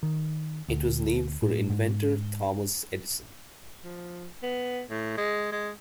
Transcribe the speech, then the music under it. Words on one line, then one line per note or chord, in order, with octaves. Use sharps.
It was named for inventor Thomas Edison.
D#3
D2
A2
G#2
F3
B3
A2
G#3
G#3